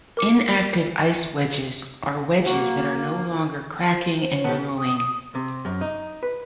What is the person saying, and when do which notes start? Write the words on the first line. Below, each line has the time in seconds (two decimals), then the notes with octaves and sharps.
Inactive ice wedges are wedges that are no longer cracking and growing.
0.17 A#4 D6 C#7
2.46 A#3 F#4
3.94 C5
4.30 C#5
4.44 B2 D#3 B3 G4 A4 F#5
4.77 D#6
5.35 C3
5.65 F#2
5.81 D#4
6.23 B4